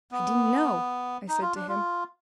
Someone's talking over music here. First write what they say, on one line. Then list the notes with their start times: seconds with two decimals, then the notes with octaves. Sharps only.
"I didn't know," I said to him.
0.12 B3
1.28 D#4
1.42 F4
1.55 D4
1.68 F4